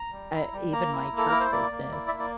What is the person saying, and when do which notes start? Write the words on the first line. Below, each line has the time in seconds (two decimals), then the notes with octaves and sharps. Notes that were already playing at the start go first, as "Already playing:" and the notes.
uh, even my church business.
Already playing: A#5
0.12 G3
0.33 E4
0.53 G3
0.73 A#3 A#5
0.92 E4
1.12 A#3
1.18 A4
1.29 E4 A#4
1.40 C5
1.52 A#3 D5
1.72 A#3
1.91 E4
2.08 A#3 E5
2.19 D5